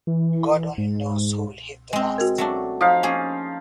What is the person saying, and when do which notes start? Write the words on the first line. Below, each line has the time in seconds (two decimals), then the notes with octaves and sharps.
God only knows who will hit the last.
0.07 E3
0.78 G#2
1.93 G#3 C4
2.18 F#4 A#4
2.38 F#3 A3 D4
2.81 F3 D#4 F5 D#6
3.03 A#3 C#4 G#4